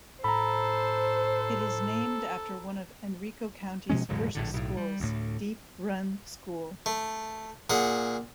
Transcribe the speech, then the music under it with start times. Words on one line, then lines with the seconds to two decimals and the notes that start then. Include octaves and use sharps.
It is named after one of Henrico County's first schools: Deep Run School.
0.24 A2 A4 C5 A#5 B5
3.90 B2 F3 G#3 C#4
4.09 D#1 G#2 C#3 F#3
4.35 A#1 A2 D3
4.54 B1 A2
4.77 G3
5.00 D2 A2
6.86 A3
7.70 A#2 G#4 F#5